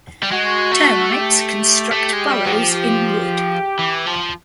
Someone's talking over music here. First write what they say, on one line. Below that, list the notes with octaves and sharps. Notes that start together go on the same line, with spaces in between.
Termites construct burrows in wood.
G3
G#3 F#4
A3
G4
A3
G#3
G3
F#3
F3
G4
E3
F3